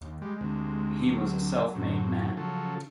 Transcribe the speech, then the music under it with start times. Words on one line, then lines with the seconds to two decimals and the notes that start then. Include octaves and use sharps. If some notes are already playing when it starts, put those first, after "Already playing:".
He was a self-made man.
0.01 D#2
0.21 G3 G#3
0.41 D2 C3
1.03 F#3
1.75 F#2 A2 C3
2.37 C#3 F3 F#3 A4